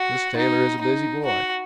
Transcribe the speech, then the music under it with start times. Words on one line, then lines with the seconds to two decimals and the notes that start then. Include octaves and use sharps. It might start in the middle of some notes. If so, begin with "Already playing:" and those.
This tailor is a busy boy.
Already playing: F#4
0.37 D#4
0.81 D#4
1.25 F#4